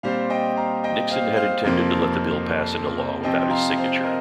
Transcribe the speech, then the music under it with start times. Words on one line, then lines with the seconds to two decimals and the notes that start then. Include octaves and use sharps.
Nixon had intended to let the bill pass into law without his signature.
0.03 A#2 G3 C4 C5 F5
0.30 D#5 G5
0.57 F5 A#5
0.84 D#5 G5
1.11 C5 F5
1.37 C5 F5
1.64 F2 C3 F3 A#3
3.23 C3 F3 C4 D#5 G5
3.50 F5 A#5
3.78 C5 F5
4.04 A#4 D#5